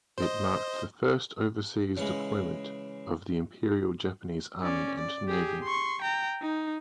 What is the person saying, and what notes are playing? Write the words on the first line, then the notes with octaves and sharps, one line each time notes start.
It marked the first overseas deployment of the Imperial Japanese Army and Navy.
C5 D#5
C#3 E3 G#3
C#4 D5
D5
G4 G#4
C6 C#6
G5 A#5
D#4